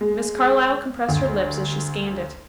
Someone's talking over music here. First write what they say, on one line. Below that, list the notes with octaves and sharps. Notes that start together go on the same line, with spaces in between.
Miss Carlyle compressed her lips as she scanned it.
G#3
D2